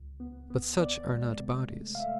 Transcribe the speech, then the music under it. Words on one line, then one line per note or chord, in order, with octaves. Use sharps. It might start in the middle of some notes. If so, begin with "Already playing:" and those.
But such are not bodies.
Already playing: C#2
B3
B3
B3 D5
G#3
C3
A3
F5
A3 E5